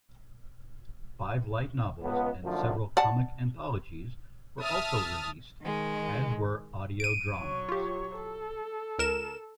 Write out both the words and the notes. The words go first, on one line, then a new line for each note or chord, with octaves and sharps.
Five light novels and several comic anthologies were also released, as were audio dramas.
C#2 B3
F#2 A2 D3 F3
D5 F#5 A5
E5 A5 D#6 F6
D#3 G#3
D7 D#7
F#3 C#5
F4 G4
A4
C#2 A#4 E7